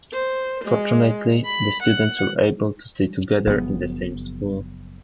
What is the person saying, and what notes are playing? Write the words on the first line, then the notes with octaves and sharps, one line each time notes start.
Fortunately, the students were able to stay together in the same school.
C5
G#3
B5
F#5
F#1 F3 B3